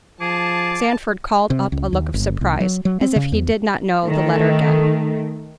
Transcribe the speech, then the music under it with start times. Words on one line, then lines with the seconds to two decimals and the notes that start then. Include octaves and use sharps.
Sandford called up a look of surprise, as if he did not know the letter again.
0.21 F3 G#4 A5 D6
1.50 C3
1.72 C#2
1.93 D#2
2.14 G1
2.41 C2
2.60 F#3
2.85 F#3
3.01 C4
3.16 C#3
3.32 E2
4.06 D#3 A3